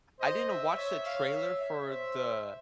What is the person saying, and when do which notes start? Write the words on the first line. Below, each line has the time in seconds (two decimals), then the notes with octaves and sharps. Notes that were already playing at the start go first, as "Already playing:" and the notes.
I didn't watch the trailer for the
0.20 C5 D#5
0.48 E5
0.76 C#5 E5
1.05 C#5 F5
1.34 E5
1.62 E5
1.90 C5 E5